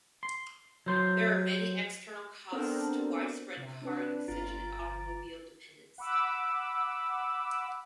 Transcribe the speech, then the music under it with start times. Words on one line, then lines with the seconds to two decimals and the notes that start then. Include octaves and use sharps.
There are many external costs to widespread car usage and automobile dependency.
0.23 C6
0.86 F#3 C5 C6
2.52 B3 C4 D4 A4 A#4 C5
3.57 C3
3.82 C4 D4 B4
4.28 G1 F4 A#5 A6 D7
5.98 F#5 B5 D6 E6